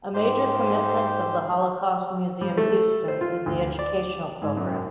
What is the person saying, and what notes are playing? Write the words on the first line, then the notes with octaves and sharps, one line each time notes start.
A major commitment of the Holocaust Museum Houston is the educational program.
G#2 G4 C5
G3
A3
C5
F4
D2
D5
G#2
F#2